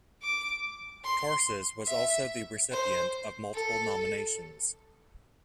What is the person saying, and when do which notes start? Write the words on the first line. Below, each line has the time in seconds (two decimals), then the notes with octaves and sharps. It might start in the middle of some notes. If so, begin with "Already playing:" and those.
Tarses was also the recipient of multiple nominations.
0.22 D6
1.04 C6
1.87 E5
2.71 C5
3.54 A4